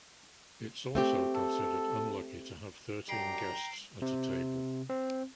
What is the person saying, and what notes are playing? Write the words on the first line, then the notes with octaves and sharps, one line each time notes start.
It's also considered unlucky to have thirteen guests at a table.
A3 C4 G4
A4
F#2 D4 G4 G5 A#5 C7 D7
C3
C4